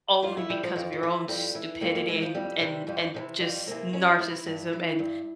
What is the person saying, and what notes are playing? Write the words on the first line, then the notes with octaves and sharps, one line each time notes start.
only because of your own stupidity and and and just narcissism and
F2 F4
E4
E3 G3
F3
F2 F3
F3
E3
F2 G3
E3
F2 A#3
A#3
E3 G#3
F3
F2 G3
C3 E3
F2 G3
F3
C3 E3 F3
F2 G3
C3 E3 A#3
F2 C#4
F4
E4
C3 E3
E4
G2
E3
G2